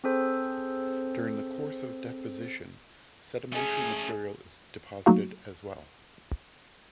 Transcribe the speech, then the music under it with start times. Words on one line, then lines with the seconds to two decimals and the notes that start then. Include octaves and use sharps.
During the course of deposition sedimentary material is deposited as well.
0.04 C4 G#4 A4 C5
3.53 A3 C#4 G#4
5.06 F#3 A3 A#3 D#4 F#4 F5